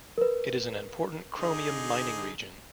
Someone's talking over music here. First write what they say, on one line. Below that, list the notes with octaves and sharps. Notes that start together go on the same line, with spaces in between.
It is an important chromium mining region.
A#4 B4
D3 D#4 G#4